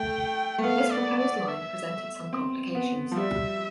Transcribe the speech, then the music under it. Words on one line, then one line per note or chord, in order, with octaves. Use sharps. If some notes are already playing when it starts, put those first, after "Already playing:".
This proposed line presented some complications.
Already playing: A3 G5
A3
B3 F5
D5
D5
E5
C4
B3
F3
G3 E5